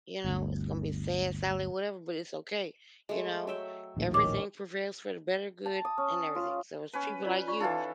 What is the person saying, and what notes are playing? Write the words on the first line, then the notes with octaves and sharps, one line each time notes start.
you know? It's gonna be sad, sadly, whatever, but it's okay, you know? Everything prevails for the better good, and everything, so, it's people like you
G1 D2
G#3 A3
F#3 E5 G5
A#1 D#2 A2
D#3 C#4 D6
A5
D#6
C#4
F4
C#4 B4
F4 C#5 D5
F4 D5 C#6
E3 D#4 F4 A4 G#5 A5